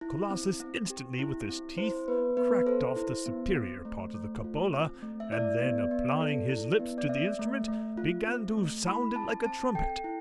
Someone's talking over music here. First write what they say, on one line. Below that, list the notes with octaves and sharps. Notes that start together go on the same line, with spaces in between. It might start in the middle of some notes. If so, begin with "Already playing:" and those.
Colossus instantly, with his teeth, cracked off the superior part of the cupola, and then applying his lips to the instrument, began to sound it like a trumpet.
E4
C4
C4
G4
E4
C4
E4 C5
B3 B4
B3 B4
A4 C5
E4
B3
C4
A3
A3
F4
C4
A3
E5
E4 D5
B3
B3
A4
E4
B3
D5
C4 E5
A3
A3
F4
C4
A3
E4 B5
C4 A5
C4 A5
A4 G5
E4